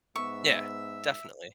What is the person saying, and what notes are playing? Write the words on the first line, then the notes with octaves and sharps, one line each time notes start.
Yeah. Definitely.
G#2 B3 E5 C#6 E6